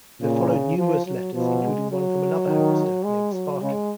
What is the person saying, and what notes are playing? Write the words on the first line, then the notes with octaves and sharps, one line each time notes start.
There followed numerous letters, including one from another hamster named Sparky.
A#2 C#3
F3
F#3
B2 F3
G#3
F#3
D#3
G#3
F#3
C#3 G#3